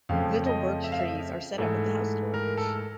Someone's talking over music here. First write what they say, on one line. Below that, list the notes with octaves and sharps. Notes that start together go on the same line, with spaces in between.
Little birch trees are set up at the house door.
F2 C#3 F3 A3 F5
D#5
E5
F5
E5
G#2 E3 A3
A#4
A4